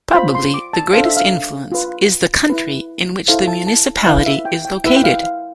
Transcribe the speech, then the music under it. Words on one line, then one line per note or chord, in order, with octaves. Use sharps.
Probably the greatest influence is the country in which the municipality is located.
F4 C5 B5
C6
D6
A5
D4 A4 C5 F5
E5
F5
F4 B4
E4 B4
E4 A4 C5 F5
A5
A5
E4 B4 F5
E5
G5
G5
E4 B4 E5
G5
F5
F5